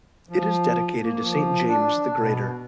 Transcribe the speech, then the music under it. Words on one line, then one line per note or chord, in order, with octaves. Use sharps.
It is dedicated to Saint James the Greater.
F3
A#3
F3
D4
B2